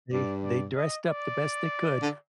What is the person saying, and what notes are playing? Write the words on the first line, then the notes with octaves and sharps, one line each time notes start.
They they dressed up the best they could.
G2 D5
D5
D#5
D5
D3